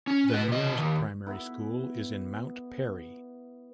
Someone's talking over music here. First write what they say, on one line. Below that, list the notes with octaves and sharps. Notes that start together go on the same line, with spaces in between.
The nearest primary school is in Mount Perry.
C#4
B4 D#5
C3 D#5
D#2
B3 E4